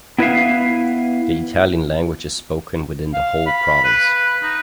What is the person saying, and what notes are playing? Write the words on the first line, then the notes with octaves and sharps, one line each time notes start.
The Italian language is spoken within the whole province.
B3 E4 B4 D5 E5 F5
F5
B5
B4
D#4